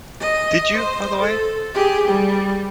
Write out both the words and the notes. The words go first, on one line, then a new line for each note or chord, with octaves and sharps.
Did you, by the way?
D#5
C5
A4
G4 G#4
G3